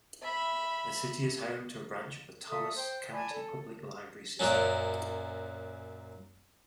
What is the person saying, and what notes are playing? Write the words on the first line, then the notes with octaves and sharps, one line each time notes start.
The city is home to a branch of the Thomas County Public Library System.
E5 B5
A4 E5 D#6
C5 G5
D5 G#5 A5 B5
A4
F#2 A#2 F#3 C#4